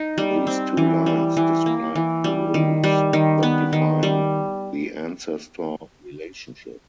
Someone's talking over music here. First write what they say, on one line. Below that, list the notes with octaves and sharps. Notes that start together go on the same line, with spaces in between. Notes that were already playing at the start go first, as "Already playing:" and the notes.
These two lines describe the "rules" that define the ancestor relationship.
Already playing: D#4
G3
C4
E3
G3
E3
A#3
E3
G3
D#3
G3
D#3
B3
D#3
G3